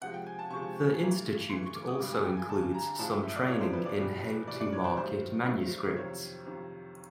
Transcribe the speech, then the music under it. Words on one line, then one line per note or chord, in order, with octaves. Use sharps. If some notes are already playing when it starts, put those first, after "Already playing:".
The institute also includes some training in how to market manuscripts.
C3 F3 G#3 F#5
G5
G#5
A5
C3 F3 G#3 C#6
G2 E3 A3
G2 E3 A3 C6
C#6
D6
D#6
G2 D3 G3 D6
G#5
G5
G#5
G2 D3 G3 A5
A#5
A2 F3 G#3 A5
G5
E5
D5
A2 F3 G#3 C#5
C5
B4
D5
E2 B2 G3
E2 B2 G3 D5
D5
C#5
C5
G2 D#3 F#3 A3 C5
G2 D#3 F#3 A3
F2 C3 D#3 C#5
F2 C3 D#3